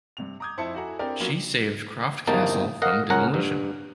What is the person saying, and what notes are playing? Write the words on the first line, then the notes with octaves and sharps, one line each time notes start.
She saved Croft Castle from demolition.
G2 C3 F7
A#5 D6 D#6 G6 G#6
F2 E4 C5 A5 C#7
E4 F#4 A4 F#5 G#5 A#5
C4 D4 E4 G4 A#4 D5
F#3 A#3 B3 C#4 F4 F#4
G1 E2 C3 A#3 D#4 A5
A#4 D#5 F5 F#5 A#5
C#2 C#4 A#4 F#5 A#5
G2